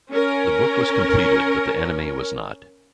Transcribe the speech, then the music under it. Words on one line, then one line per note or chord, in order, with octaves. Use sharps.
The book was completed but the anime was not.
C#4 A#4